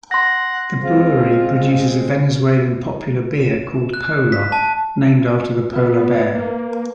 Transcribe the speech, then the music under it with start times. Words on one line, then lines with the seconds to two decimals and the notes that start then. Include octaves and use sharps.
The brewery produces a Venezuelan popular beer called Polar, named after the polar bear.
0.11 F#5 C6 A#6
0.83 G#3 C4 F4
3.41 E7
3.94 F#6
4.32 B6
4.52 A5
5.75 B3 B4
6.34 A#3